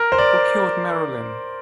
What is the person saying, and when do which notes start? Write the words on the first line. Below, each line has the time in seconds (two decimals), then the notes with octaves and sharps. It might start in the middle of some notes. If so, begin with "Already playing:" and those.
Who Killed Marilyn?
Already playing: A#4
0.12 C5
0.18 D5